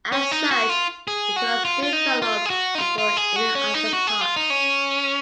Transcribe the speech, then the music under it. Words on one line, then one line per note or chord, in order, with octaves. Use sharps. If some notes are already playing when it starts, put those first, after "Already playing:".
As such, it was developed before any other parks.
C#4
D#4
F#4
F4
G#4
F#4
F4
F4
D#4
F4
G#4
F#4
D#4
F4
F4
G#4
F#4
C#4
D#4
F#4
G#4
F4
D#4
C#4